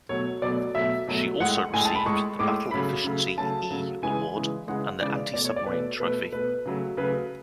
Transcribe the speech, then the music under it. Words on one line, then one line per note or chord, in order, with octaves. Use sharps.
She also received the Battle Efficiency "E" Award and the Anti-Submarine Trophy.
B2 F#3 A3 C#5
B2 F#3 A3 D5
B2 F#3 A3 E5
B2 F#3 A3
A2 G#3 F#5
A2 G#3 G#5
A5
B5
A2 G#3 C#6
A2 G#3 D6
C#3 F#3 A3 B5
C#3 F#3 A3
C#3 F#3 A3 A5
C#3 F#3 A3
C#3 E3 G#3 G#5
C#3 E3 G#3
C#3 E3 G#3 F#5
C#3 E3 G#3 D5
B2 A3 D5
C#5
D5
B2 A3 B4
B2 A3 B4
B2 A3 B4
C#3 F#3 A3
C#3 F#3 A3 B4